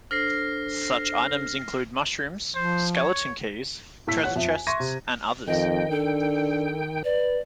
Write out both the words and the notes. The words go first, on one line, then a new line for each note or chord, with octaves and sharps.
Such items include mushrooms, skeleton keys, treasure chests, and others.
D4 A4 C5 F6 A#6 C7
F3 C5
C#5
A2 A3 E6 B6
C#5 F#5 F#6
F2 E5
G#5
E5 C6 C#6 G#6 A#6 D#7
C3
F2 D#3 D#5 G5
D4 A4
B4 D5